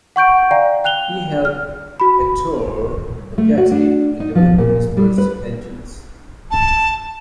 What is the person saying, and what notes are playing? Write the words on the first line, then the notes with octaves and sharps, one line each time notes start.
He helped Ettore Bugatti in developing his first engines.
F#5 C#6 G6 D7
D5 F5 G5 A#5
G5 F#6 F7 G7
F6
F#4 B5
A3
F#4
D4
D#4
F3
A#2
G3
B4
A5